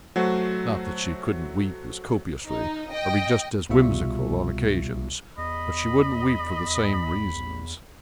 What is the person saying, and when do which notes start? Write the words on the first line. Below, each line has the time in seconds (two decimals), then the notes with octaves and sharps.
Not that she couldn't weep as copiously or be just as whimsical on occasion; but she wouldn't weep for the same reasons.
0.16 F#3 A3 F#4 C5
2.48 D#4
2.90 D#5 G5
3.69 C2 B2 G3 F4 E5 C#6
5.38 E2 D#5 B5